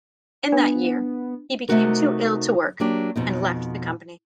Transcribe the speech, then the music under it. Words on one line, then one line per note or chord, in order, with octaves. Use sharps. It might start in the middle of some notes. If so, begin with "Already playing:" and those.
In that year he became too ill to work and left the company.
B3 D4
C3 G#3 A3 D#4 F#4 A#4
F#3 A#3 D4 G4
F2 B2 D#4